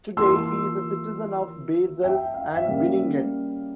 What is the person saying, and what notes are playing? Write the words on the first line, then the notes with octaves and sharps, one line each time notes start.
Today, he is a citizen of Basel and Binningen.
E3 A#3 F4 C6 E6
E5 G5
F5
E5
C#3 G3 A#3 F5